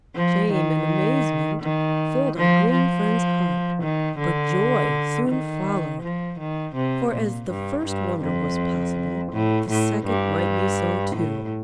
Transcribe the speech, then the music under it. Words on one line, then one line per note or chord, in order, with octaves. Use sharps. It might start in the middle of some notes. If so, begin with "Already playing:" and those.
Shame and amazement filled our green friend's heart, but joy soon followed; for, as the first wonder was possible, the second might be so too.
F3
D#3
D#3
F3
F3
D#3
D3
D#3
F3
D#3
C3
A#2
G2
G2
F2
A2
A2
G2
A2